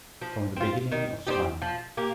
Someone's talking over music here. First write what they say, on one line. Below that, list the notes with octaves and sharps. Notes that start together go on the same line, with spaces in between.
From the beginning of time.
F3
C4 F4
D#3
C4 D#4 G4
F3
A#3 G4